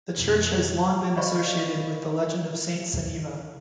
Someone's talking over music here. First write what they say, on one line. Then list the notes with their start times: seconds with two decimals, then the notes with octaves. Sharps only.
The church has long been associated with the legend of Saint Sunniva.
0.18 F2 B2
1.17 C5 D5 D#5 F5 B5 C#6